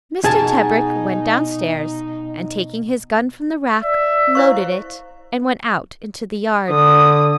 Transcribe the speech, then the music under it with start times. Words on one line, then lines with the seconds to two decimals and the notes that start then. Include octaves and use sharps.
Mr. Tebrick went downstairs, and taking his gun from the rack loaded it and went out into the yard.
0.24 B2 D#4 G#4 A#4 A5
3.83 D5 E5
4.35 E4 C5 F5 C#6
6.70 D3 D#6